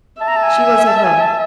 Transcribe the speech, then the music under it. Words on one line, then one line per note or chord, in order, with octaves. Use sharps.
She was at home.
E5 A5
A#5
A5
G#5
G#5
A5
G#5
A5